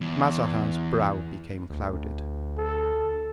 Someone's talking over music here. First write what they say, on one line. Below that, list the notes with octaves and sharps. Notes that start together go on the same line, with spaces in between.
Mazarin's brow became clouded.
E2
D2
A4